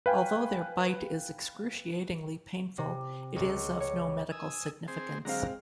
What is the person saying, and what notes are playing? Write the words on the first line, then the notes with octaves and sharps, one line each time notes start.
Although their bite is excruciatingly painful, it is of no medical significance.
B4 F5 G5 G#5
C3
C#2
C#5
G#5 D#6 E6
C4 G#4 C5
D3 F#3 G#3 C4 F5 A#5